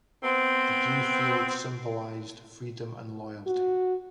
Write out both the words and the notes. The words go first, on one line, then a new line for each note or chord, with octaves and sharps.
The blue field symbolized freedom and loyalty.
B3 C4
F#4